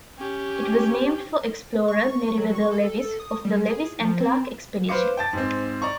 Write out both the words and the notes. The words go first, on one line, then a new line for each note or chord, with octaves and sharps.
It was named for explorer Meriwether Lewis of the Lewis and Clark expedition.
C#4 G4
C#6
F#3
C#6
A4
D#6
G3
G#4
F3
C4
B4 C5 F5 D6 C#7
G5 A5 A6
G#2 C4
D5 A#5 C#6